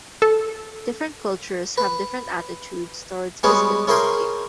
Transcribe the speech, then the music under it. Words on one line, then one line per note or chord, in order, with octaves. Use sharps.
Different cultures have different attitudes toward biscuit dunking.
A4
B4
G3 G#3 B3 C#4 F#4 G#4
C#4 E4 G#4 A#4 G5 C6